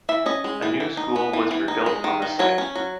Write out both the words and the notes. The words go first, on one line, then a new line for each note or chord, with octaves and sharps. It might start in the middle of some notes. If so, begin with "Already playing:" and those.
A new school was rebuilt on the site.
E3 E5
C#4 D#5
G#3
E3
E3
D#4
B3
E3
E3
D#4
G#3
D#3
D#3
F#3 C#5
C#4
F#3